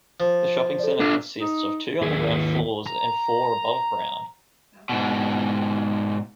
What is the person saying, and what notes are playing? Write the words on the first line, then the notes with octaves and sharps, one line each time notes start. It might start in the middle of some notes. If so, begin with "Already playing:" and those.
The shopping center consists of two underground floors and four above ground.
F3
A4 D5
D4 F4
D#4
D#2 G#4
A#5
G#2 B2